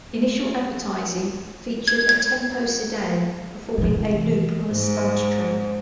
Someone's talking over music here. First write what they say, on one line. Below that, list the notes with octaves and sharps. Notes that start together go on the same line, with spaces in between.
Initial advertising featured a Tempo sedan performing a loop on a stunt track.
G#6
G#6
C3 E3
G#2